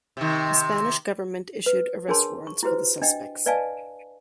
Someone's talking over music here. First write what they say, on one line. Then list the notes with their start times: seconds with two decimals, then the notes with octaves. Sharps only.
The Spanish government issued arrest warrants for the suspects.
0.17 C3 D#3
1.66 B4
2.08 D4 G#4 A#4 C#5 A5 C6
2.47 C#6
2.63 E4 F#4 G4 B4 C5
3.02 D4 D#5 G5
3.46 B4 D5 D#5 F5 G#5 A5